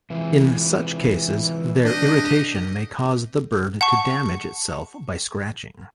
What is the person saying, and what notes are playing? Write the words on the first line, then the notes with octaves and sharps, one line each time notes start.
In such cases, their irritation may cause the bird to damage itself by scratching.
C3 E3 F3 G#3
D4 G4 D#5
F#5 A5 C#6